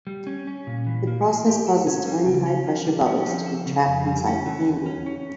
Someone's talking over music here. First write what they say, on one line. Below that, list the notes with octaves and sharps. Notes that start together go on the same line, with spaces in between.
The process causes tiny high pressure bubbles to be trapped inside the candy.
G3
C#4
C#4
A#2
E3
A#3
A2
G4
A4
C#4
G3
C#3
C#4
F3
G3
C#4
F3
A4
C#3
F2
G3
C#4
E3
E2
C#4
C#4